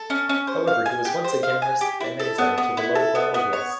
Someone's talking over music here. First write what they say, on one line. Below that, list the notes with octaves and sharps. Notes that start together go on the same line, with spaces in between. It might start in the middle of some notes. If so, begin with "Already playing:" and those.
However he was once again arrested and exiled to Vologda Oblast.
Already playing: A4
C#4
C#4
C5
F5
G#5
G4
C5
F5
G#5
G4
E4
A4
B3
B3
E4
A4
B3
B3
C#5